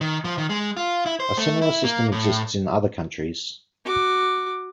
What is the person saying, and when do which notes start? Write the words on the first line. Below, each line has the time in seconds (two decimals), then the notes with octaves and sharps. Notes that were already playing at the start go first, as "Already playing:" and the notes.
A similar system exists in other countries.
0.01 D#3
0.24 F3
0.38 D#3
0.49 G#3
0.77 F4
1.06 E4
1.20 C5
1.37 A3
1.62 E4
1.84 A#3
2.12 A2
3.84 F#4 D6